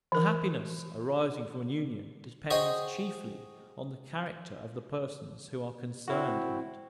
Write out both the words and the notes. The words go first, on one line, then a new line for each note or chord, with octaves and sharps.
The happiness arising from an union depends chiefly on the character of the persons who are concerned in it.
E3 A#4
F#4 G#4 C5 C#5 D#5 G5
C4 E4 F#4